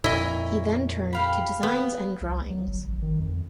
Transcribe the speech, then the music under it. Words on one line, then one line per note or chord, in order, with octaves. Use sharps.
He then turned to designs and drawings.
F2 A#2 C#4 E4 D#5
G4 F5 B5
B3
C2
F#3
G1
A1
D#3
F2